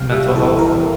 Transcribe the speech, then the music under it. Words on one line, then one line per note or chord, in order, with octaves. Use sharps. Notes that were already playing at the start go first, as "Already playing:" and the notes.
mental health, but
Already playing: C2 C3 F5 G5
G3 E5
E3 A4
E3 A#4